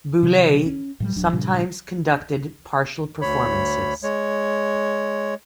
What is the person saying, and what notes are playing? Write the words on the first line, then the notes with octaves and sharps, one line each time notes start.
Boulez sometimes conducted partial performances.
C3 D#3 F#3
C#4
A2 F#3 G3
D1 F#3 D4
G2 A#2 C#3 G3
D2 C#5 B5
G#3 C#5